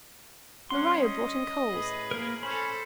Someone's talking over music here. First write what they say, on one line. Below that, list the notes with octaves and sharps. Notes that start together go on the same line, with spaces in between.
Maria brought in coals.
G3 C#4 F#5 C6
D#5
A2 G#4 B4
A#3 A#4
C#4 A4 C5 B5